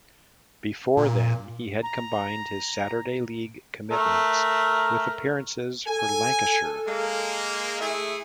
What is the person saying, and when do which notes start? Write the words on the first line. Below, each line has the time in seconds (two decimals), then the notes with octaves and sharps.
Before then he had combined his Saturday league commitments with appearances for Lancashire.
0.97 A#2
1.82 A#5
3.91 A3 A#4
5.88 A4 G#5
6.88 G#3 A#3
7.81 A3 E4 G#4